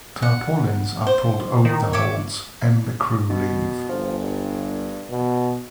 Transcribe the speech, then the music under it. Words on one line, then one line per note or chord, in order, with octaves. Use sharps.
Tarpaulins are pulled over the holds and the crew leave.
F#5
C5
D#3
C#5 E5 D6
B2
G1 F3
G2
B2